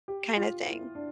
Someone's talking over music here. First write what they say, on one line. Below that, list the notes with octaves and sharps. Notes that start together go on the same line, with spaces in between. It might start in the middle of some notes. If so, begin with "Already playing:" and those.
kinda thing.
G4
F4
E4
D4